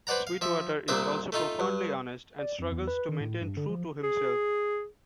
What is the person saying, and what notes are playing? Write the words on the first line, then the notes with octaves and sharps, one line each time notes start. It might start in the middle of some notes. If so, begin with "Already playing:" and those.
Sweetwater is also profoundly honest and struggles to maintain true to himself.
B4 C5 D5 F#5 A#5
F5
F3 E5
C2 A#2 D4 C5 E5 D#6
A3 D#4 F4
G2
D5
F2
E2
B4
D#3
A2
G2
D3
F3
G#4